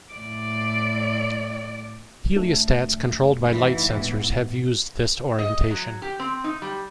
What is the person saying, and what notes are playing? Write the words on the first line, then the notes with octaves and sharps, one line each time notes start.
Heliostats controlled by light-sensors have used this orientation.
A2 D5
F#1 A3 D4
G#2 E3
A2 B3
D#5
F#3
G4
C4
D#4
G3